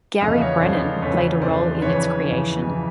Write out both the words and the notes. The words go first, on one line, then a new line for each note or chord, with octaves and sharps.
Gary Brennan played a role in its creation.
E2 C#3 F3 A3 D#5 F5
E5
C#5 D#5
E2 C#3 F3 A3 C5 D5
E2 C#3 F3 A3 B4 C#5
E2 C#3 F3 A3 C5 D5
F2 C#3 E3 B4 C#5
F2 C#3 E3
F2 C#3 E3